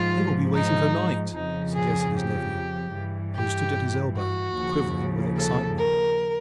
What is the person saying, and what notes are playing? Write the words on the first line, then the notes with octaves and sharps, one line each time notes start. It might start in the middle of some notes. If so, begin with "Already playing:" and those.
"They will be waiting for night," suggested his nephew, who stood at his elbow quivering with excitement.
Already playing: G#2 F3 F4
D#4
F2 C#3 F3 D#4
G#4
G4
G2 E3
G4
F#4
D#2 C#3 F3
A4
A#4